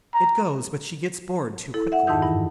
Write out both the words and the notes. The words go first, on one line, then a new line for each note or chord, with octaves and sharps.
It goes, but she gets bored too quickly.
A#5
E4 A4
E5 F#5
F2 G#2 D#3 D#4 E6 G6
G2 E3 E4